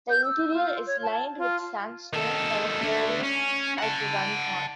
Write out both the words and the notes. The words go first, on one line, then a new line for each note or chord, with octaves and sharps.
The interior is lined with sandstone from quarries at Runcorn.
G6
E6
F4
C#5
A5
F4
D#3 A4
D3 A3
C#4
F#5 A5